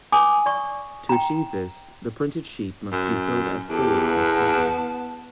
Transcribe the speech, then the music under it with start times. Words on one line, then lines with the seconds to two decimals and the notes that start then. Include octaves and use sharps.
To achieve this, the printed sheet must be filled as fully as possible.
0.12 G#5 D6 D#6
0.46 D5 C#6
1.09 G5 A#5
2.92 F#2
3.70 E2 G4 A4
4.13 B3 A5